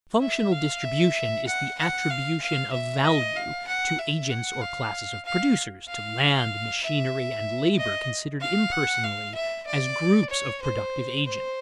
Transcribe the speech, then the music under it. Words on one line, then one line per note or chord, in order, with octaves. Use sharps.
Functional distribution is the attribution of value to agents or classes of producers, to land, machinery, and labor considered impersonally as groups of productive agents.
E5
F5
E5
F#5
F#5
F5
F5
E5
D#5
F5
F#5
E5
F#5
F5
F5
F5
E5
D#5
F5
F#5
F5
E5
D5
C#5
C5
C5